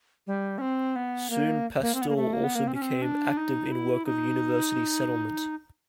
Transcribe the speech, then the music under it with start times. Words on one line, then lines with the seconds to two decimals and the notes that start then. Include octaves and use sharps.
Soon Pastor also became active in work of University Settlement.
0.27 G3
0.58 C#4
0.61 C4
0.96 B3
1.30 A#3
1.82 A#3
1.95 C4
2.02 B3
2.09 A#3
2.16 A3
2.33 A#3
2.44 B3
2.55 A#3
2.68 C4
2.75 C#4
2.82 C4
3.02 D4
3.37 D#4
3.72 E4
4.05 D#4